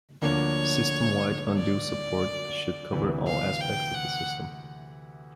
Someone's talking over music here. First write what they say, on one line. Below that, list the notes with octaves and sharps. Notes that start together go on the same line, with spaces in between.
System-wide undo support should cover all aspects of the system.
D2 D3 F3 A#3 D4 C#5
D5
D2 C3 E3
F5
G5
F#5